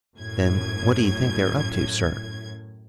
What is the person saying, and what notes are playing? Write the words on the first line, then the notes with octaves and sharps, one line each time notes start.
"Then what do you think they're up to, sir?"
F#2 A2 G#6